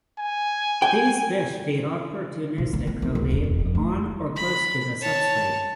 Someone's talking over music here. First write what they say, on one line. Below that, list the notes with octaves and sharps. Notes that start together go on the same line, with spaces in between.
These fish feed opportunistically on or close to the substrate.
G#5
G5
B2
D3
B3
D#3
C#2
D#1
E1
F2
A3
B5
C#5 A5